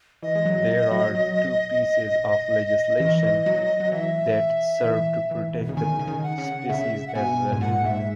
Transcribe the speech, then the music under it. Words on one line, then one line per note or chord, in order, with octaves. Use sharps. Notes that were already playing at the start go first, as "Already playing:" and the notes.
There are two pieces of legislation that serve to protect the species as well.
E3 D#5
G#3
F#3
F#3
F#3
E3
E3
F#3
F#3
E3 E5
E3
E3
B2
C#3
D#3 G#5
C#3
D#3
F#5
C#3
C#3 E5
F#5
B2 G#5
G#2
A#2 F#5
G#2 E5